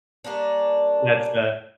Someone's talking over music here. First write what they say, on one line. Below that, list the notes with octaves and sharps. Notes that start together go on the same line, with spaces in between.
That's the
G3 A#3 C#4 D4